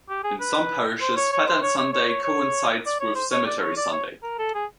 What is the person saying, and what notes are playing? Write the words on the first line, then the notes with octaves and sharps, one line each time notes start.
In some parishes, Pattern Sunday coincides with Cemetery Sunday.
G4
G#4
B4
C5
C#5
C#5
C5
C#5
C#5
C#5
C#5
C#5
D5
C#5
C5
C#5
D5
C#5
D5
C#5
A#4
A4
G#4